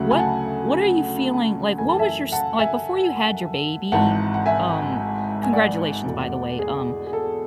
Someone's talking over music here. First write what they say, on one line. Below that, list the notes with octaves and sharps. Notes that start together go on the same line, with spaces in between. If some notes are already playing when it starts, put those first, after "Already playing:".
what what are you feeling like, what was your s like, before you had your baby, um congratulations, by the way. Um,
Already playing: D2 C#3 F#3 A3 F#5
G#5
F#5 A5
F#2 E3 A3 G#5
A5
E5 G#5
F#5 A5
E5 G#5
G#1 G#2 E3 F#5 A5
F#5
E5 G#5
G#5
D5 F#5
E2 B2 A3
G#4
G#4
A4